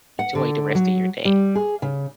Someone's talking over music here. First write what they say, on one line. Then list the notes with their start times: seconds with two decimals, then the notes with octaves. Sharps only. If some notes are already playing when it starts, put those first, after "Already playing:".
enjoy the rest of your day.
0.19 F#5
0.35 D3
0.75 F#3
1.25 G3
1.55 G#4
1.82 C#3